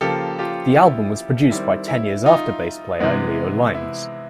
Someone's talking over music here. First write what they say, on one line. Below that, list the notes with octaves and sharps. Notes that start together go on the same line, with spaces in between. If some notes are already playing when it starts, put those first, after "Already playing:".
The album was produced by Ten Years After bass player Leo Lyons.
C#3 F3 A#3 G4 A4
F4 G4
E4
D#3 G3 C4 E4
E4
D#4 F4
C3 E3 G#3 B3
E4